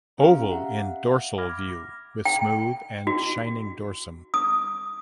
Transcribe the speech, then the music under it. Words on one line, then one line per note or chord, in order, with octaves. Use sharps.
Oval in dorsal view with smooth and shining dorsum.
C#4 G4 F5 A#5
E5 F#5
B5 D6 F6 G#6 A#6
G5
F#4
D#6